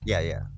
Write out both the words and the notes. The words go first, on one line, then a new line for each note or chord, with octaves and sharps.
Yeah, yeah.
F#1